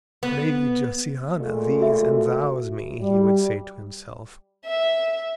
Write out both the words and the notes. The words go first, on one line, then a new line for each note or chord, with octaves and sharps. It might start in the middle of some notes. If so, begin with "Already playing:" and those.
"Lady Josiana thees-and-thous me," he would say to himself.
B3
A#2 G#3 A3
F#4 E5
G3
E5